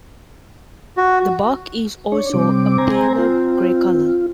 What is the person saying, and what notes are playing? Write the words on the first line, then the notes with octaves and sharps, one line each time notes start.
The bark is also a paler gray color.
F#4
D4 C#5
C3 G3 C4 D6
C5 G#5 A#5
F4